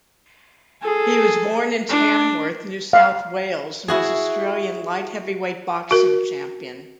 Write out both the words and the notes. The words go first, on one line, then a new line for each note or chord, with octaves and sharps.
He was born in Tamworth, New South Wales and was Australian Light-Heavyweight Boxing Champion.
G#4 A4
D4
F5
E4 F#4 G#4
F#4 A#4